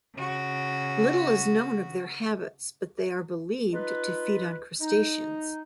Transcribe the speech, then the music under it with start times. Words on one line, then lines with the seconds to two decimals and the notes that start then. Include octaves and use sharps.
Little is known of their habits, but they are believed to feed on crustaceans.
0.14 C#3 F#4
3.73 D#4 F4 B4
4.81 D#4